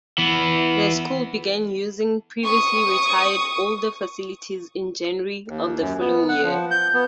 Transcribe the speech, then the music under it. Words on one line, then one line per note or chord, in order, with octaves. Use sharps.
The school began using previously retired older facilities in January of the following year.
E3 B3
C#6 D#6
D#2
F#2
B3
F#5
F3
G6
B3